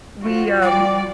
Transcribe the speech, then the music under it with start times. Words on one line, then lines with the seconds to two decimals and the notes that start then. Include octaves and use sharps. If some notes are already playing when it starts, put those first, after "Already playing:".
We, um
0.22 F3 F4 F#4
0.62 G3 D5 G5